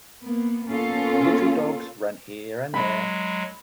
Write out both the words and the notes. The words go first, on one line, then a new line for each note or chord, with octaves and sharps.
Little dogs ran here and there.
A#3 B3
A#3 B3 C#4 F4 A4
F#3 G#3 B5